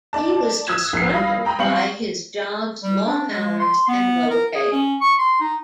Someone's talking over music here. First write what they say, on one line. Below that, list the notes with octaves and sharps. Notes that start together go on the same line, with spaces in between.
He was disgruntled by his job's long hours and low pay.
D#4 D5 A5
D#6 E6 F#6 G#6 E7
A#1 C7
G3 F5 B5 D#6 A#6
G5 A#5 B5 D#6
G3 C4 F5 C#6 C#7 F#7
G3
D4
G#3
C6
B3
A#4
G#4
C#4
C#6
C6
D#4